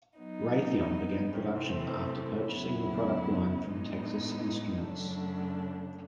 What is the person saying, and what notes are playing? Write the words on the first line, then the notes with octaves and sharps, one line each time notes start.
Raytheon began production after purchasing the product line from Texas Instruments.
F#3 B3 D#4
C3 E3 A3 C4
E2 C#3 F#3 B3 E4
A2 E3 G#3 B3 D#4
F#2 C#3 F#3 A3 D4